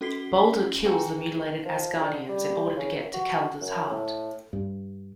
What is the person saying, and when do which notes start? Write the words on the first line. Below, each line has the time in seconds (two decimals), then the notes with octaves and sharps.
Balder kills the mutilated Asgardians in order to get to Kelda's heart.
0.01 C#4 F#4 A4 B6 C7 G7
0.85 G#4 B4 G5 G#5 A#5
1.65 F3
2.01 D3
2.29 G3
2.77 C#3
2.96 F#2
3.14 F#4
3.61 F#2
3.90 A2
4.53 G2